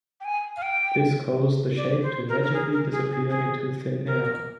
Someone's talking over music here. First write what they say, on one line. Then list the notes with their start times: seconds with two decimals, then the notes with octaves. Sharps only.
This causes the shape to magically disappear into thin air.
0.21 G5
0.25 G#5
0.57 F5
0.62 G5
1.77 D5
2.03 C5
2.29 A#4
2.43 A#4
2.54 G#4
2.73 A#4
2.92 G#4
3.11 G#4
3.30 G#4
4.07 A#4